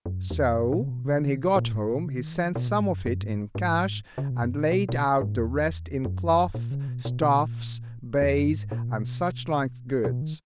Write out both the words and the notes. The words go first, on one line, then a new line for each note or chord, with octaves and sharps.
So when he got home he sent some of it in cash, and laid out the rest in cloth, stuffs, baize, and such like goods.
F#2
E2
F#2
A#2
C#3
B2
C#3
D#3
B2
A#2
G#2
A#2
C#3
D#3
E3
D#3
B2
A#2
G#2
F#2
F#2
G#2
G#2
C#3
B2
F#2
A#2
B2
B2
G#2
E2
F#2
A#2
C#3
B2
B2
B2
A#2
E2
F#2
G#2
A#2
B2
B2
D#3